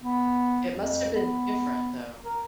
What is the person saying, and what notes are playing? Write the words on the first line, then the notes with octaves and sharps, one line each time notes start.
It must have been different, though.
B3
F2
B3
A#4